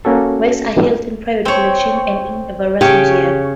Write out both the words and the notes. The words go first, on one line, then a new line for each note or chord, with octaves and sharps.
Works are held in private collections and in various museums.
A#3 C#4 F#4 A4
C4 C#5
C#3 G4 C#5